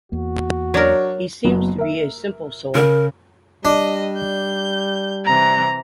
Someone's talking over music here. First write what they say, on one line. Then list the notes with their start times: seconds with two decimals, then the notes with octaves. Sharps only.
He seems to be a simple soul.
0.12 E2 A#3 F#4
0.74 F#3 D4 A#4 C#5
1.45 F#1 F#3 B3
1.78 A#4 E5
2.75 C#3 A#4
3.65 G3 D4 D#5
4.16 G6
5.25 C3 E3 A#5